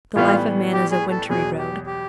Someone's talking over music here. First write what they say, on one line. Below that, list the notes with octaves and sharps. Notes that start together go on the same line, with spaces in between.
The life of man is a wintry road.
A2 E3 G3 B3 F4
G4
G#4
A4
E2 B2 F#3 G#4
G4
G4